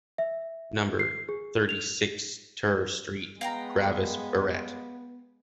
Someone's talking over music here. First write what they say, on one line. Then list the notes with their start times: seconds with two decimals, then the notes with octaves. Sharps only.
Number thirty-six TER street, Gervais Barret.
0.18 E5
0.99 C7
1.29 G#4
1.69 F7
3.41 G#3 B3 F5 G5 A#5